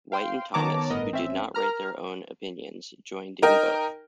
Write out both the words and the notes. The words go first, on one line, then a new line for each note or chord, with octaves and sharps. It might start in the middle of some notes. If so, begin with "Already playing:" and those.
White and Thomas, who did not write their own opinions, joined in both.
F5 G5 C6
D#3 B3 C#5 A5 A#5 D6
G1 A2 B3 A#4 D#5
A1 C4 C#4 E5
A#4 A#5 F6
D#4 A#4 G5